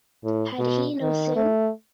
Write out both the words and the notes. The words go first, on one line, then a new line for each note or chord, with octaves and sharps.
Had he no sin?
A2
B2
D#3
A3